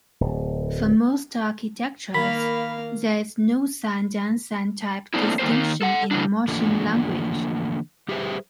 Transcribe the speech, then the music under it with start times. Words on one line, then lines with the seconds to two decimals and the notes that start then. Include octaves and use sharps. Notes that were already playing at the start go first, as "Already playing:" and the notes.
For most architectures, there is no signed-unsigned type distinction in the machine language.
0.21 D1
2.14 D#3 A#3 F5 B5
5.14 A3 A#3 C4 D4 E4
5.39 D#3 G3 A#3 B4 C5
5.51 D#3 A#3
5.82 A4 F#5
6.11 A2 C#3 E3 D4
6.48 D3 E3 F3 A3 A#3 D4
8.08 G3 G4 G#4 B4 C5 E5